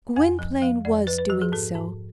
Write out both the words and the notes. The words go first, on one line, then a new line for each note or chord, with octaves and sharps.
Gwynplaine was doing so.
F2 G#5
F3
F3 F5
F2 D5
F3 B4
B4
F3 F#4
G#4
G#2 A4
G#2